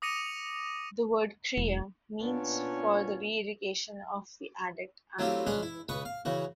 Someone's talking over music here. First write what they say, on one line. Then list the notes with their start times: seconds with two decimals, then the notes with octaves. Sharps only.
The word "Crea" means for the re-education of the addict and the community.
0.02 D6 D#6 A#6 C#7 D#7 F7
1.57 E1
2.20 A#2 B3 C#4 D4 F4
5.19 F#3 A3 C4 E4 F4 G4
5.47 G#3 C#4 D4 G#4 B4
5.62 E4
5.89 C#2 B4 C#6 D#6
6.05 F5
6.25 C#3 E3 F#4